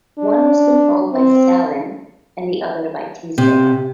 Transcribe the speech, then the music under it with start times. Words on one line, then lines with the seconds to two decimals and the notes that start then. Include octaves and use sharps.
One was controlled by Saleam and the other by Teasdale.
0.19 D4
1.12 C4
3.38 C3